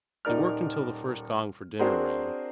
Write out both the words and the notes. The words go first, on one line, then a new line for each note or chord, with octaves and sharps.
They worked until the first gong for dinner rang.
D#1 D#4 A#4 D5 F6
C4 D4 F#4 G#4 A#4 C5